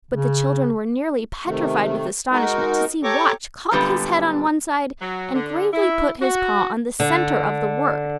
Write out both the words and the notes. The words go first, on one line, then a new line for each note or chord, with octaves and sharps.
But the children were nearly petrified with astonishment to see Watch cock his head on one side and gravely put his paw on the center of the word!
C#3
C3 D#3 A3
G#3 D#4 F#4 A#4
G4 A4 C#5 A#5 C#6 D6
F#2 A#2 D3 G3 B3
F#3
D3
E4
F#4
D3